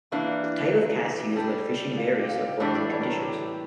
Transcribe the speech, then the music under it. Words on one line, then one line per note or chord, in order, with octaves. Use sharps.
The type of cast used when fishing varies according to the conditions.
E3 A#3 D4 E4
F4
G4
A#4
A#4
A4
G4
G4
G3 D4 A4
F4
G4
F4
G4
A2 E3 G3 D4 A4
G4
C#5
A#4
A4
G4